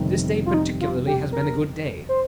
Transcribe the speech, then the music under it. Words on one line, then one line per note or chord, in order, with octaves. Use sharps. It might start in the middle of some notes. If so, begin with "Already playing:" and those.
This day particularly has been a good day.
Already playing: G1 F2 C3 D#3 G3
F4
D#4
F4
G4
A#4
C5